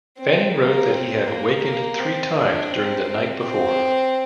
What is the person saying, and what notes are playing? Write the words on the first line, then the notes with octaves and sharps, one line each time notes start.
Fanning wrote that he had awakened three times during the night before.
C4
A#3
C4
A#3
A#3
C4
D4
C4
C4
C4